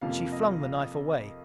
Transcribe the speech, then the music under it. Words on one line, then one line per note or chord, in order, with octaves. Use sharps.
But she flung the knife away.
F2 C3 F3 A#3 F5
D#5
F5